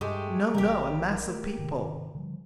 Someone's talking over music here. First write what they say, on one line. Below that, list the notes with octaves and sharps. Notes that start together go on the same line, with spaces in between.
"No, no; a mass of people."
G2 G#3 A3 G4
A#1 C#3 E3 G4 A#4
A3
G#2 C3 D#3
D3 F3 G3